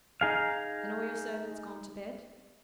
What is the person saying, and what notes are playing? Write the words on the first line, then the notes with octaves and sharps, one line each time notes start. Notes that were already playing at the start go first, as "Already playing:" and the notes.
"And all your servants gone to bed?"
D#4 G#4 F5